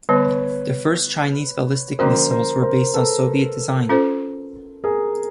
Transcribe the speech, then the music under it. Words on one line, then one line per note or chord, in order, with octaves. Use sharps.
The first Chinese ballistic missiles were based on Soviet design.
D3 G3 B3 B4 C#5
D3 F3 A#3 C#4 F#4 A#4 C5
A#4 C5
A#4 C5
A4 B4
C#4 F4 A4 C5
G#4 A#4